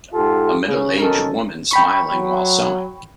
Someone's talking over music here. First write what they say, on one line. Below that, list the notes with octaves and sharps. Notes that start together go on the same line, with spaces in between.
An middleage woman smiling while sewing.
G#2 F4 G4 A4
C#3
B1 D#3 C#4 A4 A#4
G5 B5 C#6
F#3